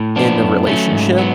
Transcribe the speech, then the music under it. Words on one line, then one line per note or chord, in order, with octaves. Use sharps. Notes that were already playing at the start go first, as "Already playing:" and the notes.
in the relationship,
Already playing: A2
F3 B3 D4
F#2
F#3 A3 C#4
G#2
F#3 B3